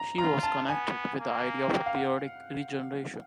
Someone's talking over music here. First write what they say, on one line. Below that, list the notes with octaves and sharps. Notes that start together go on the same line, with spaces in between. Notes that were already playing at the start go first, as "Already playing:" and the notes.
She was connected with the idea of a periodic regeneration.
Already playing: A#5
F4 A#5
A5
B3 G#5
A#3
G5
F5
F#5